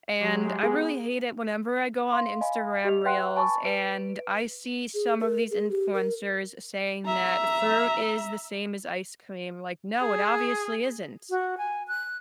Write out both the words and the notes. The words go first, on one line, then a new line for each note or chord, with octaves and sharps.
and I really hate it whenever I go on Instagram reels and I see some of these influencers saying that fruit is the same as ice cream, like, no, it obviously isn't.
F#3 G#3 G4
B3 G#4
F5 C6
D#5 F5 G#5 B5
G4 D#5 F7
B4 E5 F#5 G5 C6 F#6
G#5 A5 B5 C#6 D6 A6
B4 D7
G#4
A#4
G#4
G4
A#4
E5 A#5
G#4
F#4
G#5
F#6